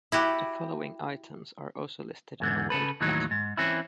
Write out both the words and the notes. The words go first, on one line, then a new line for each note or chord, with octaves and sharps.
The following items are also listed in WorldCat.
E4 F#4 G4
E2 G#2 D3
C#3 A4 B4
D#2 A2 D#3 E3 F#3 D#4
G#2
E3 C4 C#4 E4